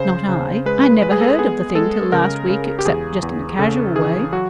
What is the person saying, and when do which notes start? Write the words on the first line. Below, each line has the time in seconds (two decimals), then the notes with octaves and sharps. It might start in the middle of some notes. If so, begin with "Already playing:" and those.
Not I. I never heard of the thing till last week, except just in a casual way.
Already playing: C#3 C5
0.29 C#3
0.66 G#3 B4
0.84 B4
1.02 G#3 B4
1.12 G#4
1.21 A4
1.39 B3 G#4
1.75 G#3 A4
2.12 C#3 A#4
2.49 C#3
2.79 G4
2.85 E2 G#4
3.23 E2
3.59 C#3 A4
3.95 E3 G#4
4.32 F#3 F#4